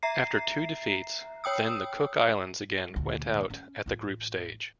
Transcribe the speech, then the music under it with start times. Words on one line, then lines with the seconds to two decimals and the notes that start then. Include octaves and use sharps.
After two defeats, then, the Cooks Islands again went out at the group stage.
0.03 E5 A#5 C7
1.44 C#5 G5 D#6 E6
2.96 D2 A#2
3.50 C#4
3.86 A1 F4